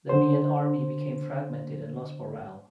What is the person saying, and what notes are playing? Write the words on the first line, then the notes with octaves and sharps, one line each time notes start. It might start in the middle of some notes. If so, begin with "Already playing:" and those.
The Viet army became fragmented and lost morale.
D3 C5